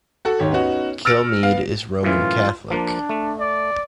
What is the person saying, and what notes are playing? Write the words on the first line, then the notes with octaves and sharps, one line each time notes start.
Kilmeade is Roman Catholic.
F#4 A4 F#5
D#2 G#2 G4 C#5
B3 C#4 D#4 F#4
E6 F6 A6 A#6 C#7 D7
B3 F5
F#2 A2 E3 F4
F3 A#3 D4
A3
D5